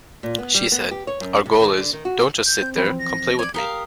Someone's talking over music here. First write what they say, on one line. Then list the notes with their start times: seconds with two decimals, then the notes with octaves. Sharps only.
She said: "our goal is, don't just sit there - come play with me".
0.23 A#2
0.38 B3
0.55 G3
0.72 B3
0.91 G4
1.07 C#5
1.21 F#2
1.46 C3
1.60 D#3
1.77 D3
1.93 D#3
2.05 F#4
2.46 G6
2.62 C4
2.76 E3 F3 C4 B5
2.99 A#6
3.39 C#5 D5 G#6
3.54 G4 A#4 F5 D#6